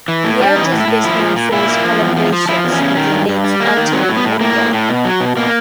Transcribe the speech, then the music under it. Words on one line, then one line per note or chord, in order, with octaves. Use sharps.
Yared is best known for his collaborations with the late Anthony Minghella.
E3
A2
G3
E3 D#4
A2
E4
A2
F3 E4
A#2
A#2
A#2 E4
A#3
F3
E2
F3
F3
F3 E4
E2
C#4
C#3
D#3
G2
G2
G3
A#3
D#3
F#3 C4
A2
B3
A2
A2 A#3
A2
A2
B2
F#3
B2
B2 A#3